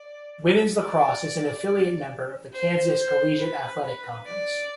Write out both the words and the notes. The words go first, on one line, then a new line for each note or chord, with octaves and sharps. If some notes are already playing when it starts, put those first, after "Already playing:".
Women's lacrosse is an affiliate member of the Kansas Collegiate Athletic Conference.
Already playing: D5
D5
C5
C5
B4
B4
D5